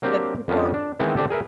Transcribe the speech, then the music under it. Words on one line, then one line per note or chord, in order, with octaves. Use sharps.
That people are
F#3 A#3 C4 D4 G4
F2 F3 B3 C#4 D4
D4
D#3 E3 G#3 B3 C4 E4
D3 C4 D4 G4 A4
G#4 A#4 B4 E5